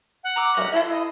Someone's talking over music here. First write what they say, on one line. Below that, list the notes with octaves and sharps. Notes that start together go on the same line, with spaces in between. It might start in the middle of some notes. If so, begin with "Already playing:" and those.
Oh, no.
F#5
A#5 D6 E6
C#4 A#5
A4 C5
D#5